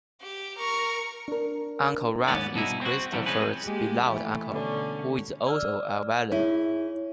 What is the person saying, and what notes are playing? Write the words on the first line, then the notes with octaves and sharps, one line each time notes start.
Uncle Ralph is Christopher's beloved uncle, who is also a villain.
G4
A#4 C#6
D4 A#4
D#2 G#2 B3 C#4 D5
G2 B2 D#4 E4
C4 F#4
G2 C3 E3 F3 G3
G#3 C4 C#4 G#4 B4
G#3 A#3 G4
E3 A3
B2 D3 C#4
D5 E6 F6
E4 G#4 C#5